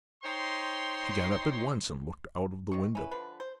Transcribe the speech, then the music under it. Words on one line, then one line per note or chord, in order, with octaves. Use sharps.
She got up at once and looked out of the window.
D#4 C5 C#5 G5 C6
D#3 C4 C#6
C#4 E4 B4
D3 F3 B4
C5